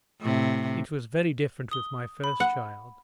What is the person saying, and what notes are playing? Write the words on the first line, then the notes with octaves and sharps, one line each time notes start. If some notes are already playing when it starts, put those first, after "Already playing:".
"It was very different with my first child."
A2 C3
D#6 G7
B5
F#5